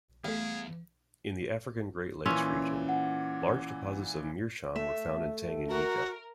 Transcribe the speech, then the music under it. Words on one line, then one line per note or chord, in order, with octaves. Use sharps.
In the African Great Lakes region, large deposits of meerschaum were found in Tanganyika.
E2 G3 A3 G#4 F5
A#2 E3 C#4 C6 E6 B6
F#5
A3 E5
F#4 A#4